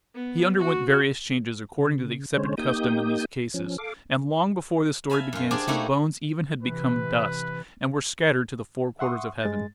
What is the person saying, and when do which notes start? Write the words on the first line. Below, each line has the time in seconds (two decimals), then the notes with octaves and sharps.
He underwent various changes according to the accepted custom in these cases, and long before this story begins his bones even had become dust, and were scattered to the four quarters of heaven.
0.15 B3
0.59 F#4
1.79 C#3
2.37 D3 G#3 C#4 C5 C#5
2.58 A#3 D#4 G4 D#6 G6
3.54 F3 C#4
3.78 A4 F5 D6
5.10 E5 F5 G#5 A5 B5
5.33 F#2 F4
5.51 D4 G4 G#4 C5 D5 G#5
5.68 A3 A#3 D#4 E4 F#4 G4
6.63 C3 E3 B4
8.99 E5 F#5 C6 C#6 D#6
9.43 G2 G#3 A6